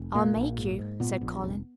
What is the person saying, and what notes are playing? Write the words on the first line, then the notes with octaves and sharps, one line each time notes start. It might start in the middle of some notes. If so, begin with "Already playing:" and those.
"I'll make you," said Colin.
Already playing: F1
A#2 A#3
A#1
G#2
G#2
A#2 B3
A#1
F1